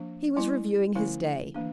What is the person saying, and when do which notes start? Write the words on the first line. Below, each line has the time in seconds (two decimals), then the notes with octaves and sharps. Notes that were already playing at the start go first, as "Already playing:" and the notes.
He was reviewing his day.
Already playing: F3 A#3 D4
0.36 G3 C#4 E4
0.95 D3 F3 A3 C#4 E4
1.54 E3 A#3 D4